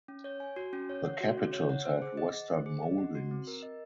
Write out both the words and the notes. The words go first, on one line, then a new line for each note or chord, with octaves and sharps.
The capitals have western moldings.
C#4
C#5
G#5
F#4
C#4
C#5
F#5
F#4
C#4
C#5
F#5
C5
G#4
D#5
F#5
C5
G#4
D#5
F#5
F#4
C4
A#4
D#5